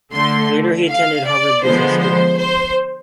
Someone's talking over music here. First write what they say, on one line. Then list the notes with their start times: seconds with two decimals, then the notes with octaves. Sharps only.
Later he attended Harvard Business School.
0.13 D3 A3 C6
0.88 F5
1.25 D5
1.62 D3 F3 G#3 B3 C5
1.99 C5
2.37 C5